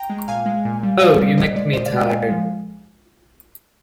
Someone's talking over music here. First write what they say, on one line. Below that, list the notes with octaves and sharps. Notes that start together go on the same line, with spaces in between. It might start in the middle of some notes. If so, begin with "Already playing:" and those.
Oh, you make me tired.
Already playing: G5 A#5
G#3
A#2 F5 G#5
G#3
A#2
G3
A#2 D5 F5
G3
A#2 C5 D#5
G#3 D5
A#2 C5 D#5
D5 F5
G#3
D#5 G5
A#2 F5 G#5
F3 G#3